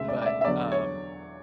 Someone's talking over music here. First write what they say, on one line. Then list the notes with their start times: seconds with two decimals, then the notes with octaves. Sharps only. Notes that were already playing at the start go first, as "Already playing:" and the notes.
but, um,
Already playing: E1 D2 C#3 G#3 E5
0.08 D5
0.22 D5
0.26 E5
0.41 E5
0.45 E2 D3 F#3 D5
0.72 C#5